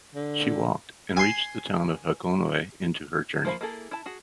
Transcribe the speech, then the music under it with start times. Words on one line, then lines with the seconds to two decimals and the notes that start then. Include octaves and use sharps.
She walked and reached the town of Hagonoy into her journey.
0.15 D3
1.17 G#5 C6
3.45 F3 A#3 C5 F5 B5
3.61 A#3 E4 G#4 A4
3.91 E4 A5
4.06 F#4 G#4